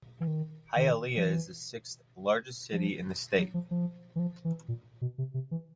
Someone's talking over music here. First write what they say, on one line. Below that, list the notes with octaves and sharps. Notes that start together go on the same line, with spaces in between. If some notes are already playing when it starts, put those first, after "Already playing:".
Hialeah is the sixth-largest city in the state.
E3
D#3
D#3
F3
E3
F3
F#3
F3
F3
E3
F3
E3
A#2
B2
C3
C3
E3